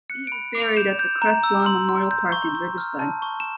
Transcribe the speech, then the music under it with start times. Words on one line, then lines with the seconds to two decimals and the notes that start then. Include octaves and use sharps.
He was buried at the Crestlawn Memorial Park in Riverside.
0.10 F#6 C#7
0.27 B5 D7
0.55 D6
0.60 F7
0.77 G6 E7
0.99 G6
1.22 A#5
1.43 E6
1.66 C6
1.89 C6
2.11 G6
2.32 C#6
2.55 C#6
2.78 F6
2.99 A5
3.22 C#6
3.40 E7